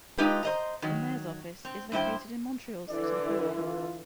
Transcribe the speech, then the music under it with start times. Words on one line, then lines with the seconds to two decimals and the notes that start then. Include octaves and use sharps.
The mayor's office is located in Montreal City Hall.
0.18 G#3 D#4 F4 G4 B4
0.43 C5 D#5 A#5
0.82 D#3 F#3
1.65 C4
1.92 G2 E4 C5 G5
2.89 D3 E3 D5
3.59 F4